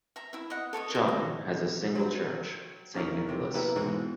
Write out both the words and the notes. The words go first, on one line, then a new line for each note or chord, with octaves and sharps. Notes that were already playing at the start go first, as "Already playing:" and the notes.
Chawton has a single church, Saint Nicholas.
E5 A#5
E4 E5
D#5 F#5
A4 C#5 D6 D#6
A#4 C5
A#5
F#3 C4
E2 C#4 D#4 E4 A#4 A#5
C3
A#3 B3 E4 G4 A4 B4
G#2 B2 E3 G#3 C4